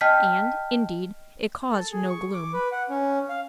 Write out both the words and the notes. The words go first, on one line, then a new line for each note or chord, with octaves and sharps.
And, indeed, it caused no gloom.
D#5 G5 A5 F6 G6 B6
A4
G#4
C#6
D6
B4
F#5
C#4
F5